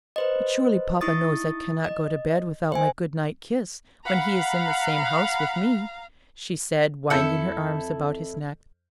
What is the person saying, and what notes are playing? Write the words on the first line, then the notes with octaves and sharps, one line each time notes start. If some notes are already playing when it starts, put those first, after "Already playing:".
"But surely papa knows I cannot go to bed without my good-night kiss when he is in the same house with me," she said, winding her arms about his neck.
B4 C5 D#5
D#4 E4 C#6 D#6 A6
D#5
C5 E5 G#5
F5 F#5 A#5 B5
F2 E4 A4 G6 C#7